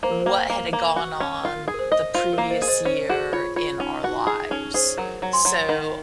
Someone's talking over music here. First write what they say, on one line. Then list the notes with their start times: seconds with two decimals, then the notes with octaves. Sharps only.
what had gone on the previous year in our lives. So,
0.03 A#3 C5
0.11 A#4
0.20 C5
0.26 A#3
0.50 A#3
0.73 A#3
0.96 F#4
1.20 C#4
1.43 F4 A#4
1.68 G#4
1.74 A#4
1.79 C5
1.92 D#5
2.14 F4 C5
2.32 A#4 C#5
2.38 A#3
2.50 C5 D#5
2.62 G#4
2.68 C5 D#5
2.85 C#4 C5
3.09 F#4 G#4
3.32 F4 C#5
3.56 F4 C#5
3.80 C#4 D#4
4.03 D#4 F#4
4.27 G#4
4.51 C#4 D#4
4.74 G#4 C5
4.98 F#3 A#4 C#5
5.22 F#3
5.33 G#5 C6
5.45 F#3
5.68 D#3 F#5 A#5